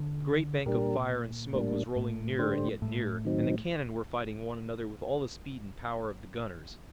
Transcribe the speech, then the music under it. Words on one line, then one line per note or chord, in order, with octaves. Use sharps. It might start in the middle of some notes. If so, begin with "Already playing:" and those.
The great bank of fire and smoke was rolling nearer and yet nearer, and the cannon were fighting one another with all the speed and power of the gunners.
Already playing: D3
A#2 G3 A#3 D4 G4 A#4
A2 G3 A#3 D4
A2
D3 A3 D4 G4 C5
A2
D#3 F#3 C4 D#4